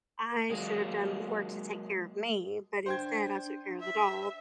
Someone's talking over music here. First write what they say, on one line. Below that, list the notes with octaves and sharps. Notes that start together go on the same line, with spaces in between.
I should have done more to take care of me, but instead I took care of the dog,
F#3 G#3 A#3
D4 C5 G5 G#6
E5